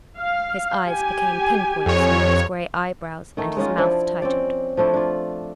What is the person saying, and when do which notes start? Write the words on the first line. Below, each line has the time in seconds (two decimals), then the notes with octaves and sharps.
His eyes became pin-points under his grey eyebrows and his mouth tightened.
0.18 F5
0.88 G4 G#5
1.86 F2 C#5
3.37 D#3 A3 D#4
3.57 G#3 C#4 D#4 F4
3.77 F3 D4 E4
4.22 C4 C#4 D5
4.77 F3 A3 D4 E4
4.94 D4 F4